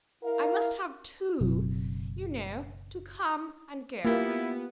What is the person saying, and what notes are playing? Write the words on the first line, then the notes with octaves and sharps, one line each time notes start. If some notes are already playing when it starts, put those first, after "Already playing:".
I must have TWO, you know--to come and go.
E4 A#4 F5
F#1 B2 F#3 C4
A#3 B3 E4 F4 G4